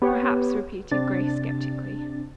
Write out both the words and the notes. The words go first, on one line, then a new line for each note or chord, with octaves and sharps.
"Perhaps," repeated Grace sceptically.
B3 G4 C#5
C3 C4 D4 A6